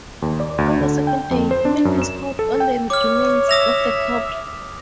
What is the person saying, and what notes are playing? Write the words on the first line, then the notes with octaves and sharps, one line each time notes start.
On the second day, milk is poured on the remains of the cobra.
D#2
D5
D2
D3
G5
F2
C5
D4
F#2
E7
A4
G5
C#5 D6 F6
E5 D#6 A#6 F7